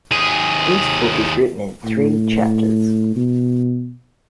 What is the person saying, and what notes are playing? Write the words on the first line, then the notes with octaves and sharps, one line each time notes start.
This book is written in three chapters.
D#2 G#4
A2
B2